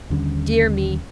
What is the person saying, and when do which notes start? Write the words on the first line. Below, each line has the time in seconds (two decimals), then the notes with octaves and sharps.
Dear me!
0.10 D#2 D3 G3 C#4